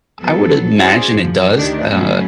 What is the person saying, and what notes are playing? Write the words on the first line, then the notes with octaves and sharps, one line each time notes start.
I would imagine it does, uh,
F#3 B3 A4
C#4 E4 F#4 G#4 C5 D5
F#2 F3
D2 D#3 D4 G4
B2 F#3 A3 B3 C#4